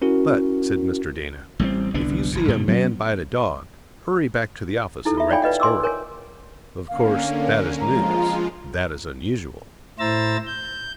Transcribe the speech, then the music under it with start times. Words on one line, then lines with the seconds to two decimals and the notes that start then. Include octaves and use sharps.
"But," said Mr. Dana, "if you see a man bite a dog, hurry back to the office and write the story." Of course that is news; that is unusual.
0.02 C#4 E4 F#4 A#4
1.59 A1 G3 A3 C4
1.94 G1 C2 B3 D4
2.32 F#1 D#2
2.48 G2 B2 D3 G3
2.68 F#3 B3 C#4
5.05 D#4 E4 A4
5.17 F4 E5
5.30 C#5 D5 F5 G5 G#5 B5
5.42 F4 B4 D#5 F#5
5.60 G#5 C6 D6 E6
5.84 A#4 C#5 G#5
6.89 D3 A#3 C#4 F5
7.81 F3 G#3 F4 A#5
9.99 A2 E4 C5 A#5 E6 A6
10.47 G6